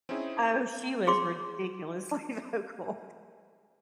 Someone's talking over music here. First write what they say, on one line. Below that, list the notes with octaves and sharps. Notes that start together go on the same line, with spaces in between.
Oh, she was ridiculously vocal,
C4 C#4 D#4 E4 G#4
G#4 C6 D6